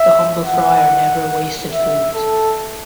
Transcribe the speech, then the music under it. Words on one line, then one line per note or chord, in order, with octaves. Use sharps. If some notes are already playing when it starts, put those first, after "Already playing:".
The humble friar never wasted food.
Already playing: E5
F#5
E5
A4